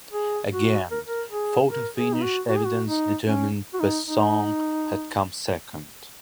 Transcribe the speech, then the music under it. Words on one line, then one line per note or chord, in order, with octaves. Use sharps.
Again, photo finish evidence determined Besson had come second.
G#4
F#4
A#4
A#4
G#4
A#4
G#4
D#4
F#4
F#4
G#4
F#4
D#4
C#4
F#4
D#4
D#4